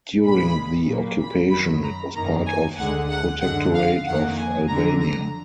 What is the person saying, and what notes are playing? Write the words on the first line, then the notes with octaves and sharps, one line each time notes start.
During the occupation, it was part of Protectorate of Albania.
A#2 G#3 B5
A#2 F#3 A#3
B5
F#2 D#3 F#3 B5
A#5
F#2 D#3 A#3 A#5
G#5
D2 D3 G#3 F#5
F#5
F#2 D3 G#3 F#5
F5
F2 D#3 A#3 F#5
G#5
F2 D3 F#3 A#5
A#5